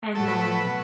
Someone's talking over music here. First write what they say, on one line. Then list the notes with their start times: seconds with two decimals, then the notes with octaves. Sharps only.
And then,
0.15 A2 F#3 A3 A4
0.28 B4
0.41 B4
0.52 B4
0.65 B2 F#3 A3